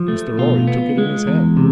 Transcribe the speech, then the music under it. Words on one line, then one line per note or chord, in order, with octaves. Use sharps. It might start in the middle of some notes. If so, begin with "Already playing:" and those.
Mr. Lorry took it in his hand.
Already playing: F3
A3
B2 F4
B3
G#3
E2
C3